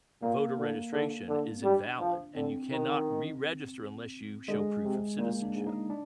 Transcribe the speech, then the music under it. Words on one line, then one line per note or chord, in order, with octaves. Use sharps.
voter registration is invalid, and you cannot reregister unless you show proof of citizenship
A#2 A#3
D3
D3
D3
C4
G3 D4
F3
D3 C4
D#3
D3 G#3
C3
A#2 A#3
D4
G#2
D#4
D4